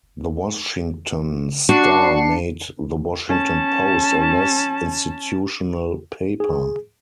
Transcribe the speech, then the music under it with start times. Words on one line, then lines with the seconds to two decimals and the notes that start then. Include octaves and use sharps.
The Washington Star made The Washington Post a less institutional paper.
1.69 D4 F#4 C7 C#7
3.28 C#4 A5
6.40 G#4